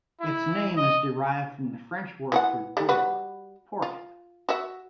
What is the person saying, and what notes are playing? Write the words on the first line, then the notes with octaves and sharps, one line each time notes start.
Its name is derived from the French word for door, "porte".
E4
D#5
E3 G#4 F#5
G3 A3
G3 F#4 B4
F4
F#4 E5